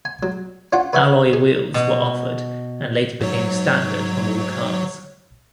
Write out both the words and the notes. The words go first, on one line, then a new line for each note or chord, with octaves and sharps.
Alloy wheels were offered and later became standard on all cars.
G#5
F#3
C#4 D4 F4 F#5 G5
B4 C#5 E5 F#5 G#5
G#4
B2
G#2 F#3 C#5